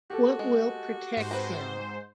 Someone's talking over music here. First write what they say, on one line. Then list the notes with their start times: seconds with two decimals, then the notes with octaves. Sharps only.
What will protect him?
0.10 F#4 G4 A4
0.39 G#3
1.17 G#2 C5
1.31 C4 B4 A#5